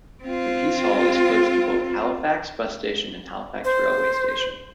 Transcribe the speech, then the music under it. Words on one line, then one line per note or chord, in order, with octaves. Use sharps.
The Piece Hall is close to both Halifax bus station and Halifax railway station.
C4 F4
C5